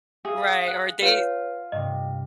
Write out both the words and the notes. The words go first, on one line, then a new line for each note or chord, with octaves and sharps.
Right, or they
G#4 E5 F5
F#5 F#6
F4 B4 C#5
G2 C3 D#5